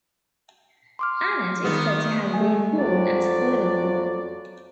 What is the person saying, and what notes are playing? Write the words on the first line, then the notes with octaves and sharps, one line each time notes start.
Annet is said to have been born at Liverpool.
C6 D6 F6
D#3 B3
A3 G#5
F2 F#3 D5